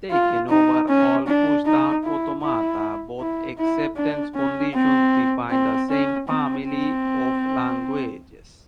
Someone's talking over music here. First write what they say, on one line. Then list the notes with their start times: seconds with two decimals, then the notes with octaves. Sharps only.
Taken over all pushdown automata both acceptance conditions define the same family of languages.
0.10 F4
0.49 D#4
0.88 C#4
1.26 D4
1.65 D#4
2.04 E4
2.42 E4
3.20 E4
3.58 E4
3.96 D4
4.35 C#4
4.74 C4
5.50 C4
5.90 C#4
6.27 C4
6.67 C4